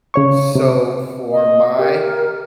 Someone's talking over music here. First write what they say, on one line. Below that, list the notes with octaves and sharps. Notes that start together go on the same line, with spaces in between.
so for my,
C#3 C#5 C#6
C3
D#5
G4 A#4